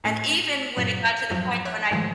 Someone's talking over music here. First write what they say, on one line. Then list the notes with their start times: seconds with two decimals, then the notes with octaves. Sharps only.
And, even when it got to the point when I
0.04 A2 A3 C#4
0.77 G2 A#2 F#3
1.30 F2 G#2 F3 F#3
1.65 C#5 E5 F#6
1.91 G#2 D3 D#3 F3 G#3 A3